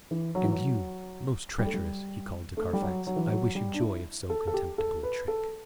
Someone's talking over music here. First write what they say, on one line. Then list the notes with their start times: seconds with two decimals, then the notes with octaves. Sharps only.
"And you, most treacherous," he called to Carfax, "I wish you joy of so contemptible a trick."
0.11 E3
0.35 F#3
0.44 E3
0.52 F#3
1.58 G3
1.66 A3
1.74 G3
2.57 A3
2.73 G3
2.82 F#3
3.07 F#3
3.16 E3
3.27 F#3
3.55 G3
3.74 D4
3.80 E4
4.30 A4
4.47 A4
4.54 G4
4.78 A4
5.03 B4
5.28 A4